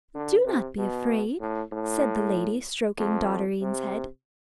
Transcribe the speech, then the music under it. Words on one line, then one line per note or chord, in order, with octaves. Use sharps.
'Do not be afraid,' said the lady, stroking Dotterine's head.
D3
C3
B2
A2
A2
F2
C3